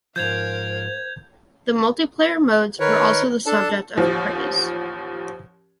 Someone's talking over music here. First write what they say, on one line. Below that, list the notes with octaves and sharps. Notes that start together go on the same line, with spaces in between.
The multiplayer modes were also the subject of praise.
G#2 F3 A#4 C5 F5 G6 G#6 F7
D#3 A#4 B4 C#5
D4 A4 A5
A1 D#2 F3